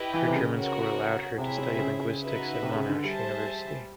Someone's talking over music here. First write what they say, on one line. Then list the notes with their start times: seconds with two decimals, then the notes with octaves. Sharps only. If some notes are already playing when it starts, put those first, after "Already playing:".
Her German score allowed her to study linguistics at Monash University.
Already playing: E4 G4 B4 D#5 G5
0.14 E3
0.28 C3
0.35 C#3
0.55 F#4 A#4 C#5 F#5
1.38 C3 C4 E4 G#4 C#5 E5
1.58 C3
1.79 C#3
2.20 D#4 F#4 B4 E5
2.63 C3
2.75 C#3
2.89 D3
3.03 G3 G#4 C5 E5 A5